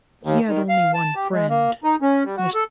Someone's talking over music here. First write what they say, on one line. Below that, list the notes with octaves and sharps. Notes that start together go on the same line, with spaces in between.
He had only one friend--Mr.
D#2
D#3
F5
A5
G4
G#3
A#3
D#4
C#4
G3
F#4
A4